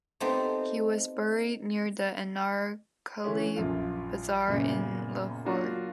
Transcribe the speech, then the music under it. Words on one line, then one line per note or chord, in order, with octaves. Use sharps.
He was buried near the Anarkali Bazaar in Lahore.
A3 B3 C4 D#4 G4 C5
D3 E3 A3 C#4
A#1 F#2 F4
F#2 A#2 C#3 B3
F#3 A#3 D4 F4 F#4